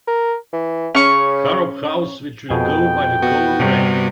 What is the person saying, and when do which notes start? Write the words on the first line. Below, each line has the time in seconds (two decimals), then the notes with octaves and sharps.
Harrop house which will go by the colour red.
0.07 A#4
0.53 E3
0.95 C#3 C#4 C#6
2.50 F2 B2 G#4 G5
3.22 B3 F#4
3.58 G2 C3